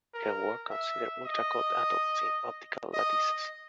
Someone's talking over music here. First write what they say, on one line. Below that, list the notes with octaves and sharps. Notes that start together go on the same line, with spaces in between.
Her work considered ultra cold atoms in optical lattices.
A#4
E5
D#5
D#5